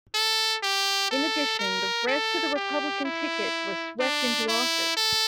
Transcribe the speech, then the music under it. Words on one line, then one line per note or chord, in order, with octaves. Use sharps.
In addition, the rest of the Republican ticket was swept into office.
A4
G4
A4
A#4
A4
G4
E4
D4
E4
A4